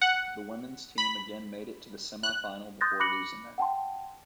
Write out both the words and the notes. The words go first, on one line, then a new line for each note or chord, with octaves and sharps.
The women's team again made it to the semifinal before losing there.
F#5
B5
F#6
C6 D#6 F#6 G6 A6 A#6
B5 D6 F#6 A#6 C#7 F#7
F#5 G5 A5 C6